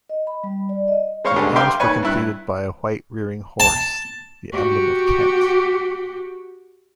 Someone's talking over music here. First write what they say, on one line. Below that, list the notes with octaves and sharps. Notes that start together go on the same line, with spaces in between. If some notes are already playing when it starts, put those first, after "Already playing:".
The arms were completed by a white rearing horse, the emblem of Kent.
D#5
B5
G3
D5
D#5
G#3 C5 C#5 F5 C#6
C#2 D3 G3 C5
E5 F5 G5 C6 D6
D#2 B4 C#5 G#5
G2 E4 F#6
A5
F#4 G4